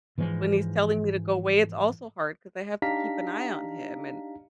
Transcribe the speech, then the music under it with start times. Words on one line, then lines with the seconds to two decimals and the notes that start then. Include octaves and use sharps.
when he's telling me to go away, it's also hard 'cause I have to keep an eye on him and
0.18 G#2 E3 F3 G#3
2.82 D4 D#4 G4 F5 A#5 B6